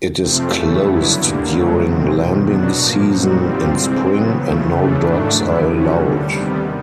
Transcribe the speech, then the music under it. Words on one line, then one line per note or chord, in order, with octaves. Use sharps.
It is closed during lambing season in spring, and no dogs are allowed.
F2 C3 F3 A3 C4
F#2 C#3 E3 A3
G2 D3 F#3 B3 E4
D#2 D3 G3 A#3
F#2 C#3 F#3 A3
E2 B2 G#3 C4
E2 C3 D#3
B2 F#3 B3 D4 F#4
A2 F3 A#3
A#2 G3 C4 D#4 F#4
G2 D3 G3 C4 F4
C3 E3 G#3 C4
C#3 F#3 B3
C#3 F3 A3
C#3 E3 A3 D4
G#2 D#3 F#3 A3 D4
F2 D3 G3 B3 E4
C3 F3 A3 C#4 F#4
D#2 D3 G3
C3 D#3 G3 B3